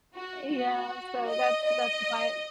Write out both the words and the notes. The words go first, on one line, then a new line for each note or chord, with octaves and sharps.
yeah, so that's that's why
F#4
F#4
D#5
D#5